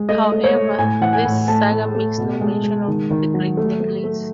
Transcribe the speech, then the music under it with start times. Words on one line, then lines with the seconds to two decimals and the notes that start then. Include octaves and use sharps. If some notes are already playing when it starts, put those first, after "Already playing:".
However, this saga makes no mention of the great necklace.
Already playing: G#3
0.09 A3 D#5
0.32 A3
0.44 C#5
0.55 A3
0.78 A2 G#5
1.01 E3 F#5
1.13 G#5
1.25 A2
1.48 A3 A5
1.71 A3
1.95 A3
2.18 B2
2.41 G#3
2.64 G#3
2.88 D#3
3.10 D#3
3.34 F#3
3.57 A3
3.80 A3
4.04 A3